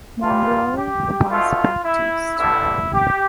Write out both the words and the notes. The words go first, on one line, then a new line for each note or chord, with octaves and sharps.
Monroe was Baptist.
A1 G2 E3 G3 F4
G4
B1 B2 A3 F4
E4
A1 G2 D3 A3 E4
G4